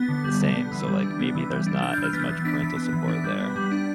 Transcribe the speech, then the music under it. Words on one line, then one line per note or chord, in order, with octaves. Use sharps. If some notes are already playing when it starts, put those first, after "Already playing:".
the same, so, like, maybe there's not as much parental support there
Already playing: B3 A6
D3
G3
D3
B3
E3
G3
D4
B3
E3
G3
D4
D4 F6
G6
E3
F6
B3 A6
E3
D4 B6
E3
B3
E3
D4
G3
B3
G3
D4